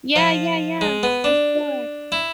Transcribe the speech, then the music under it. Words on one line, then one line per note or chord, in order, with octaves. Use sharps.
Yeah, yeah, yeah. For sure.
F3
G#3
B3
D4
E4